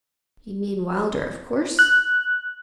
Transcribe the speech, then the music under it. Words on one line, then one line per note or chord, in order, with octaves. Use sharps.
You mean Wylder, of course?'
F#6